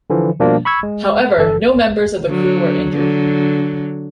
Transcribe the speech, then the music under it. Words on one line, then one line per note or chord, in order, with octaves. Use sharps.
However, no members of the crew were injured.
D3 E3 F3
B2 F3 G3 A#3 D4
B5 C#6 E6 G#6
G#3
G1 A4
D3 F#3
D3 F#3